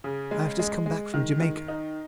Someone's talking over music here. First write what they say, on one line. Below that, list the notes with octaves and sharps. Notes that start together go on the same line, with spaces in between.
I have just come back from Jamaica.
C#3
G#3
G#3
G#3
D#3
D#3
D#4